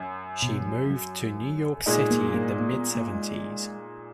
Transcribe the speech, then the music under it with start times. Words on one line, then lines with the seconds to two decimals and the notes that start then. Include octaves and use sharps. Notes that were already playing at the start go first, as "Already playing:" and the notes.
She moved to New York City in the mid-seventies.
Already playing: F#2
0.42 B2
0.61 F3
0.66 F#3
0.90 F#3
1.86 A#2 G#3 D#4
2.11 A#3
2.34 A#3
2.59 A#3
2.73 A#3
2.76 B3
2.95 A#3
3.13 G#3